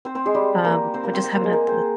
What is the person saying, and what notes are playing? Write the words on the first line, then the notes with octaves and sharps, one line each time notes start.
um, we just haven't had the
C4 C5
C4 C5
G#3 G#4
G3 G4
A#3 A#4
C4 C5
A#3 A#4
C4 C5
C4 C5
A#3 A#4
G#3 G#4
A#3 A#4
C4 C5